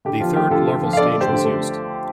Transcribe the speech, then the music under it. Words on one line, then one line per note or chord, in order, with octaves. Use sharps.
The third larval stage was used.
D3 G4
F3 F4
A3 G4
D3 F4 A4
D3
F3
F5
D3 A4 D5
A3
G4 C5
D3
A3